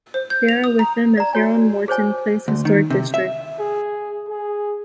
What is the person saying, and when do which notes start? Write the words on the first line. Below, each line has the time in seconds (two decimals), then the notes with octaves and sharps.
They are within the Herron-Morton Place Historic District.
0.14 C5
0.30 G6
0.49 F7
0.64 D#6
0.79 A#5
1.17 D5 A#5
1.33 F#4 C#5 G#5
1.88 G#4 C5 C#5 G#5
2.48 D2
2.65 D#3
2.90 C3
3.14 E5
3.60 G#4
4.29 G#4